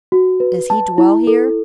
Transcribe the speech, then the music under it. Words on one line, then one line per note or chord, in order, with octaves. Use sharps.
Does he dwell here?
F#4
B4
A5
E4
A4